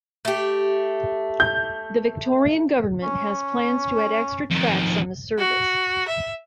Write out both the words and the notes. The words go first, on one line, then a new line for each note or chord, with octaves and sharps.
The Victorian Government has plans to add extra tracks on the service.
A3 G4
G6
C#4
F2 D#3
F#4
E5